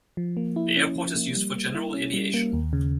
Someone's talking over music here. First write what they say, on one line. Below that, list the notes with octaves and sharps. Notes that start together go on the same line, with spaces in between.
The airport is used for general aviation.
F3
A#3
E4
C#4
F3
A#3
G3
A#3
E4
C#4
G3
A#3
D#2
C#3